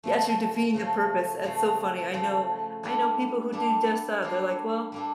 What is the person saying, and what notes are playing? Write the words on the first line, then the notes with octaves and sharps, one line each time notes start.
yes, you're defeating the purpose. It's so funny. I know I know people who do just that. They're, like, "Well
C#3 F3 A3
C#3 F3 A3
C#3 F3 A3
C#3 F3 A3
G3 A#3 D4 A4
G3 A#3 D4 A4
G3 A#3 D4 A4
G3 A#3 D4 A4